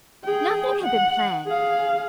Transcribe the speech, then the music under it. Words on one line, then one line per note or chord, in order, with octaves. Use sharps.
Nothing had been planned.
G#4 G5
F#5
G#4 F5